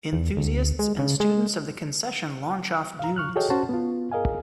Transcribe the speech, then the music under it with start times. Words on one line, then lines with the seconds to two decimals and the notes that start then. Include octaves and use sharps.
Enthusiasts and students of the concession launch off dunes.
0.13 E2
0.37 D2
0.79 G#3
0.99 C#3
1.20 G#3
2.99 F5 A#5
3.16 C#6 F6 F#6
3.36 F#4 G#4 A4 C#5 D#5 G5
3.50 C#4 F#4 C5 A5
3.69 B3 F4
4.12 G#4 A#4 D#5 F5 G#5